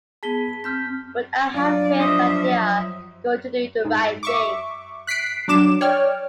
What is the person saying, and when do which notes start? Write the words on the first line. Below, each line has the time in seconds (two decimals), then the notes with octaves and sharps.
But I have faith that they are going to do the right thing.
0.23 B3 G#4 A5 B6 G7
0.64 C4 F6 G6 B6
1.54 F#3 G3 D4 F4 D5
1.99 F3 C5 D#5 E5
3.85 G#2
4.23 E5 C#6 D6
5.07 F#6 B6 C7 D7
5.48 F#3 D4 D6 E7
5.81 C#5 D5 G5 F6